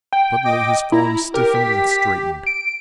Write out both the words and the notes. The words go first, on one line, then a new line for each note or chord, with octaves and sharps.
Suddenly his form stiffened and straightened.
G5
D#5 D6
E4 A#5
G4 A#4
B6
D7